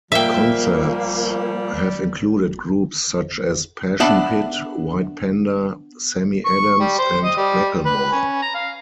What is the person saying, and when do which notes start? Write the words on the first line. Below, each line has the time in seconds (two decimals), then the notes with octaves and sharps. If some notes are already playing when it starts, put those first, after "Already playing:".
Concerts have included groups such as Passion Pit, White Panda, Sammy Adams, and Macklemore.
0.12 A#2 F3 G3 A#3 E5 G5
4.00 B3 D4 E5 B5
6.46 C#6
6.80 G3
6.99 C5
7.25 D#5
7.37 G3
7.86 B4
8.12 C#4
8.42 A#5
8.54 F5